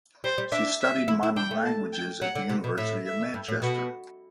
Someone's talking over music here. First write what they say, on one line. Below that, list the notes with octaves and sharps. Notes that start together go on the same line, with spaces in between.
She studied modern languages at the University of Manchester.
G3 C5
G3
D4 E5
E5
E4
E4
D4 G5
A3
A5
G5
F#3 F#5
D3
C3
B2
A2 E5
E5
G2
A2
B2 F#4